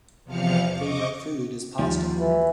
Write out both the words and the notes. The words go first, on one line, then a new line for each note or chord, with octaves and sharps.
Favorite food is pasta.
E2 C3 F3 F5 F6 C#7
D#5 C#6 D6
D#2 F3 G3
E3